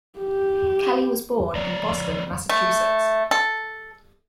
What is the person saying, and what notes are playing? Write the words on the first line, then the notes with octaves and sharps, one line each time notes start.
Kelly was born in Boston, Massachusetts.
G4
F3 C#5 D5 A#5
A3
A4